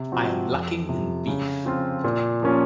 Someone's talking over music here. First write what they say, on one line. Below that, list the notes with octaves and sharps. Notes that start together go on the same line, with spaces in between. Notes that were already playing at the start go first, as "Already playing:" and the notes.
I am lacking in beef.
Already playing: C3
F3 C4 F#4
F2
C3 F3
C#3
F3 C4 F4
A#2
F3 A#3 C#4 F4